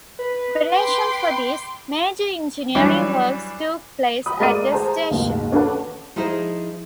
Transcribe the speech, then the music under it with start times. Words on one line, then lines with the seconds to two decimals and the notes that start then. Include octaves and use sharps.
In preparation for this, major engineering works took place at the station.
0.19 B4
0.71 G5 C6 D6
2.75 E3 F#3 G3 D4 E4
4.26 B5 D#6
4.40 G#3 A#4 D5 D#7
4.72 G#4 C5 A5 A#5
5.11 F#1 D#2 G#2
5.52 C#4 D4 A4 B4 F#5 A5
6.16 F3 D#4 E4 G#4 C5 D#5